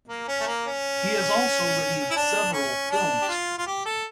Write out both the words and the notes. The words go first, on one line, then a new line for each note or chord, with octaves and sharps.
He has also written several films.
A#3
C#4
A3
A#3
C#4
E4
D4
C#4
D4
G4
F4
F4
G4
A4